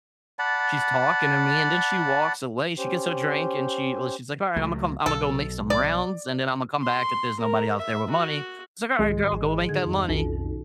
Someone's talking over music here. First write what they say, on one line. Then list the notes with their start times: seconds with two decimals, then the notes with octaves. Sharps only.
she's talking to me, and then she walks away. She gets her drink, and she well, she's like, "Alright, Imma come Imma go make some rounds, and then Imma come back if there's nobody out there with money." So, then I go, "Go make that money."
0.39 D5 F#5 A5 B5
2.78 C#4 G4 C5
4.56 C#2 F#3 A3
5.06 B1 A4
5.70 D5
6.83 C6
7.39 A#4
7.77 E5
8.10 F#4
8.99 C2 G#2 D#3 G#3
9.32 G#1
9.69 D3 D#3 D#4 G#6
9.86 F2
10.09 B1 C#4 F4 A4